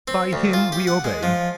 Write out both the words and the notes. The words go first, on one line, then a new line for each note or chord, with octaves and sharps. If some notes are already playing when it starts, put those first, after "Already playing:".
"By him we obey."
C4
D2
F4
G4
F#5
G#3
F3